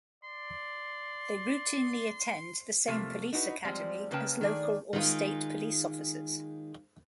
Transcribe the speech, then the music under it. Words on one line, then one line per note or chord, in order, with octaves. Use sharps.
They routinely attend the same police academy as local or state police officers.
D5 C6
C3 F3 A3 A#3
D#4 E4 F#4 B4
F3 G3 G#3 C4
C#3 A#3 C#4 B4 G5 A5
D#3 A3 G#4 D5
D#3 G#3 F4